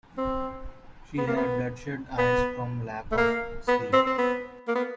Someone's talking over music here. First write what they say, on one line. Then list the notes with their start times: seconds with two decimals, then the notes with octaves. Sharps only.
She had bloodshot eyes from lack of sleep.
0.18 C4
1.18 B3
1.27 A#3
1.36 B3
2.18 B3
3.12 A3
3.18 A#3
3.68 B3
3.93 C4
4.07 C4
4.18 B3
4.68 A#3
4.75 B3